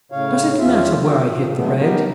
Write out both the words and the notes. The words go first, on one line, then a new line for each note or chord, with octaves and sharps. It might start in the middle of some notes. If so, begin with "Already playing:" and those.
"Does it matter where I hit the red?"
A2 C#3 C#5 F5
E2 C#4 F4 E5
F#4 E5 G5
F3
D3 F#3 G#3 A3 B3
B3 D#4 G4 A#4